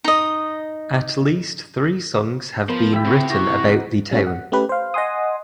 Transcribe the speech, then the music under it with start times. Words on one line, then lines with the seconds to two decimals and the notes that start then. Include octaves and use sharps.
At least three songs have been written about the town.
0.04 D#4 D#5
2.69 F3 B3 A#4 C5 B5
2.93 E4 G4 G5 E6 B6
3.05 C3 B3 C4 A#5 C#6
3.30 E4 F#4 F#5 C#6 D6 A#6
4.11 G3 C#4 E4 F#4
4.27 F#5
4.52 A3 C#4 G4 B4
4.69 C5 F5
4.94 D#5 F#5 G#5 C6 D#6